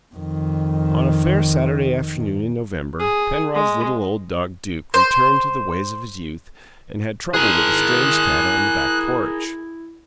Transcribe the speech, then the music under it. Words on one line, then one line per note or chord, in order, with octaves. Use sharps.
On a fair Saturday afternoon in November Penrod's little old dog Duke returned to the ways of his youth and had trouble with a strange cat on the back porch.
F2 D#3
G#4
G#3
C5
E4 G#4 A#4 F#6